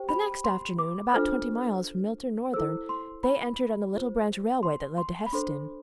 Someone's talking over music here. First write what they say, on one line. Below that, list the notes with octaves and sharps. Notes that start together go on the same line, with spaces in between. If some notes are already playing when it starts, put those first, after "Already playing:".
The next afternoon, about twenty miles from Milton-Northern, they entered on the little branch railway that led to Heston.
Already playing: G4 C5 G5
B5
C6
D6
D4 F4 A4 C5 F6
E4 A4 C5 E6
C6
B5
F4 C5
C6
C6
B5
D4 A4 C5 C6